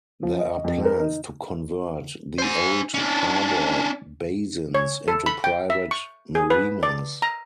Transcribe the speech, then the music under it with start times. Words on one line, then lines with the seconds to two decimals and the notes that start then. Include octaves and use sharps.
There are plans to convert the old harbour basins into private marinas.
0.23 F3
0.39 D#5
0.64 F2
0.85 A#4
1.00 D#4
2.38 C5 G#5
2.94 C#4 D4
4.75 C#5
5.08 A4
5.26 B5
5.44 G5
5.70 E5
5.91 C#6
6.35 G#4
6.50 B4
6.83 D5
7.22 A#5